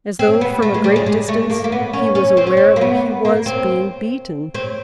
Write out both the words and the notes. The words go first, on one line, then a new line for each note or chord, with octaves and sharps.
As though from a great distance, he was aware that he was being beaten.
C4
B3
A3
G#3
G3
G#3
G#3
A3
A#3
A#3
B3
C#4
C#4
C4
C#4
C4
A#3
B3
A#3
C4
C4